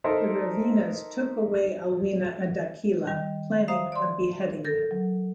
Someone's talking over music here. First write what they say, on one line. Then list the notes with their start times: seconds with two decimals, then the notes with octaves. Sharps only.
The Ravenas took away Alwina and Dakila, planning on beheading them.
0.04 D#4 A4 A#4 C5 E5
3.07 D#3 G3
3.68 C5 E5 F5 A#5 D#6
3.92 D5 C6
4.65 A4 A#4 G6
4.91 F#3